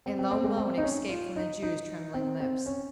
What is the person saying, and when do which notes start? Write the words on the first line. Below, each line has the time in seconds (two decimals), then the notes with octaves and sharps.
A low moan escaped from the Jew's trembling lips.
0.06 C4
0.19 C4
0.31 C4
0.44 G#3
0.58 C4
0.78 D#4
0.84 C#4
1.09 F4
1.36 D#4
1.63 D#4
2.14 C4
2.40 C4
2.66 C#4